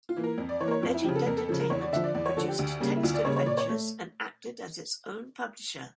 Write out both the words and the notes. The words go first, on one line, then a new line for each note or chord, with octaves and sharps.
Legend Entertainment produced text adventures and acted as its own publisher.
F4
E3 A#3
A#4
F2
D5
E3 C#5
A#3 A#4
C#5
F2 F4
E4
C#3 F3 G4
A4
F2 A#4
A4
C#3 F3 A4
A#4
E2 C#5
D5
D3 F3 E5
D5
E2 D5
C#5
D3 F3 A4
G4
D2
C#3 G3 A#3
E4
D2 F4
D5
C#3 G3 A#3 C#5
C#5
A#2 D5
C#5
A3